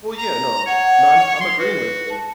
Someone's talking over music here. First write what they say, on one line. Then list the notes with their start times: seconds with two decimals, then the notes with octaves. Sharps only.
Well, yeah, no. No, I'm I'm agreeing with you.
0.18 A#5
0.66 C#5 F#5
1.41 C6
1.59 F#4 B4
2.09 A5